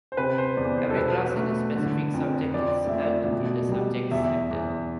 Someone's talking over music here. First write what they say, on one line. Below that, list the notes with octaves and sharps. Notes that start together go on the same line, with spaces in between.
Every class in a specific subject is held in the subject's center.
C5
C3 B4
C5
E2 D5
C5
A4
B2 B4
A3
D3
F2
F3 D5
E5
A3 D5
B2
G3
E2 E5
E2